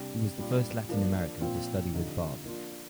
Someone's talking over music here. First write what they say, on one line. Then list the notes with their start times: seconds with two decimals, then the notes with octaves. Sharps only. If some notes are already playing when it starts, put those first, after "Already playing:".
He was the first Latin American to study with Barth.
Already playing: C3 G3 D4 G4
0.38 A#2 G3 D4 F4
0.89 F3 A#3 D4 F4
1.41 A#2 F3 C4 F4
1.94 D3 F3 C4 D#4 G4
2.45 F3 A#3 D4 F4